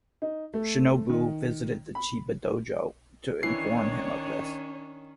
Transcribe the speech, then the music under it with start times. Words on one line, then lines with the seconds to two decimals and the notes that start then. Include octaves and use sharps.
Shinobu visited the Chiba Dojo to inform him of this.
0.22 D#4
0.54 A3
1.10 D#3
1.95 B5
3.43 D#3 E3 C#4 D4 C#5 C7